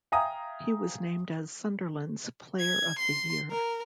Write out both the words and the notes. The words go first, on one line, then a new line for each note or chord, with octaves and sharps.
He was named as Sunderland's Player of the Year.
E5 F5 G5 G#5 A#5 D#6
G#6
C6
A#4